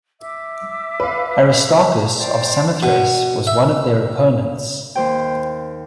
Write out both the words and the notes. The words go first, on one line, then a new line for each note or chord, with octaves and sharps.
Aristarchus of Samothrace was one of their opponents.
E5 D6 E6
B4 F5
C5 D5 G5
B2
E5
D#2 C5 G5